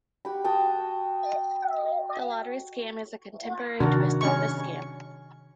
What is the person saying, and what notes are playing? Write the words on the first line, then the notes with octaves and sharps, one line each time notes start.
The lottery scam is a contemporary twist on this scam.
F#4 G4 B5
F#4 G5 A5 D#6
C3 D#3 D4 F#4 A#4
C#4 C#6